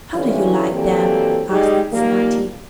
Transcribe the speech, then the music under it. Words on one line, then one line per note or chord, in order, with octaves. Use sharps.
'How do you like them?' asked Snati.
D3 E3 F3 G3 C#4 E4
E3 F#3 G3 A#3 C4 A4
G3 G#3 D#4 G4 G#4
D#3 F3 G3 A#3